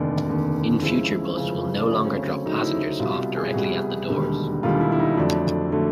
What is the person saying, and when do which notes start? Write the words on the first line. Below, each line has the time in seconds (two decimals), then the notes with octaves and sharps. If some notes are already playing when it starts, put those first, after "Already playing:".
In future bus will no longer drop passengers off directly at the doors.
Already playing: F1 D#2 D3 D4
0.27 F1 D#2 D3
0.82 C#2 C#3 F3 E4
1.36 C#2 C#3 F3
1.79 D4
1.91 D2 C#3 F#3 A3 C#4
2.05 C4
2.18 C#4
2.45 D2 C#3 F#3 A3 D#4
2.63 E4
2.82 E4
3.00 C2 B2 G3 F4
3.36 G#4
3.54 C2 B2 G3 F#4
4.09 E1 D#2 D3 G3
4.63 E1 D#2 D3 G3 F4
4.81 E4
4.92 E4
5.00 D#4
5.17 F2 D3 F#3 A3 D4
5.72 D3 F#3 A3